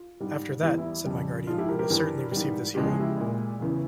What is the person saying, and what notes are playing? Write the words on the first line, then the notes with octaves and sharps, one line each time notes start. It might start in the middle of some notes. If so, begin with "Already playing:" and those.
"After that," said my guardian, "we will certainly receive this hero."
Already playing: F4
G#2 G3
E2 E3 G3 E4
E4
F2 C#3 G3
G#2 F3 G#3 F4
E4 G4
G4 A#4
G4 A#4
G2 E3 G3
G#2 E3 G3
E2 C#3 F3 G#3 G4
G#4
E4 G4
A#2 G#3
E2 C#3 E3